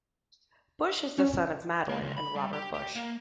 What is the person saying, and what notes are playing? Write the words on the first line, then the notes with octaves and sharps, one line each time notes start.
Busch is the son of Madeline and Robert Busch.
C#4
A#3
C#2
B5
G3
G4
G4
A#3